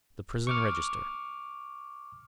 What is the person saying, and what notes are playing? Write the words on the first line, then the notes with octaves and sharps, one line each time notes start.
The Prison Register.
C#6 D6 F6